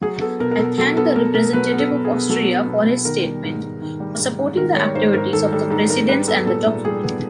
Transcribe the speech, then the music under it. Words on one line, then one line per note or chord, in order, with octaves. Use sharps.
I thank the representative of Austria for his statement, for supporting the activities of the Presidents and the document.
F#3 G#4
B3 A4
B2 A#4
A#4
B2 A4
F#3 A4
B3 A4
B2 A#4
B2 A#4
F#3 B4
B3
A4
B2
G#4
B2
F#3 A4
B3
B2
B2
D#3 A#4
G3
G#2
G#2
D#3
G3
G#2
G#2
D#3 A#4
G3 C#5
G#2 C5
G#2 A#4
D#3 A4
G3 A4
G#2 A4
G#2 A#4
G3 B4
B3 A4
A#2 A4
A#2
G3 G#4
B3